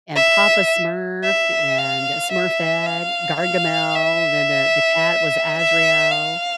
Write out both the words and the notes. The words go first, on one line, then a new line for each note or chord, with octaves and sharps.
And Papa Smurf, and Smurfette, Gargamel, then the the cat was Azrael.
E5
E5
F5
E5
F5
F5
E5
E5
F5